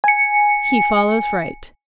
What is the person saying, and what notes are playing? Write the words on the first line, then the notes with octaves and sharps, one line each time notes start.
He follows right.
G#5 C#7